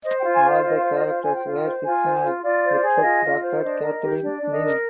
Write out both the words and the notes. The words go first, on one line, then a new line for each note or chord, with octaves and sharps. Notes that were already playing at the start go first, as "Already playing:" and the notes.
All the characters were fictional except Dr Kathleen Lynn.
C5 D#5
G5
F4
G#5
C5
F5
F4 D#5
C5 F5
D#5
F4 F5
C5 G#5
G5
F4 F5
G5
C5
F4 G#5
C5
F4
F4 D5
C5
G#4
D5
F4 D#5
F4
C5
D4 D#5
A#4
G4
D4 D5
D4
D#5
A#4